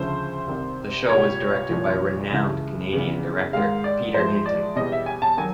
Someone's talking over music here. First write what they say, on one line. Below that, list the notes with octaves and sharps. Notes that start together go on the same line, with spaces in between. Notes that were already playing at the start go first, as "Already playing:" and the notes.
The show was directed by renowned Canadian director Peter Hinton.
Already playing: D2 C#3 F3 A3 C5
C2 C3 D#3
C2 A#2 G3 C#5
C2 A#2 F3
C#2 C#3 E3 A3
E2 C#3 E3
G#2 D#3 G#3 F5
D5
A2 F3 G#3 C5
D5
E2 B2 G3 D#5
E5
G#5
A5
D#3 F#3 G#5